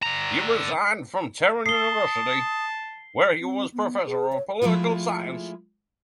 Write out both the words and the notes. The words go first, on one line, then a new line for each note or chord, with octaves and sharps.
He resigned from Tehran University, where he was professor of political science.
D3 A#5
A5 D#6 C7 G7
C4
B3
G#4
C#5
F3 G#3 A3 E4 F4